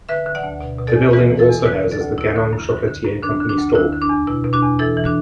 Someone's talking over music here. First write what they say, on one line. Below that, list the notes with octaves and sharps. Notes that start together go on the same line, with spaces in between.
The building also houses the Ganong Chocolatier company store.
D3 B4 E5
D3
D5 F#5
D2
B2
B2
A4 D5
E2
E3 F#4 B4
E3
E4 A4
E2
D3 F#4 B4
D3
A4 D5
D2
D3 E4
D3
F#2
D3
D3
F#2
D3 D4
D3
D4
D2
D3 E4
D3
D4
E2
B2 E4
B2
D4 F#4
E2
E3 E4 A4
E3
D4 F#4